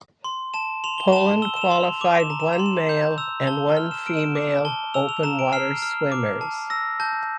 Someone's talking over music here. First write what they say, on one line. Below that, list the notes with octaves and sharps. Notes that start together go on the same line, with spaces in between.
Poland qualified one male and one female open water swimmers.
C6
A5 E7
C6 F7
G7
A5 E7
E6 G7
E7
F7
C6
F7
D6 F7
E7
A#5
E7
F7
C6
E7
G6
E6 F7
A5 G7
F6
E7
F6 D7
E7
D7
D6
A5 G7
E6 F7
F7
A#5 E7
D7
F6 C7
F6
D6
A5
E6 A#6
A5 G6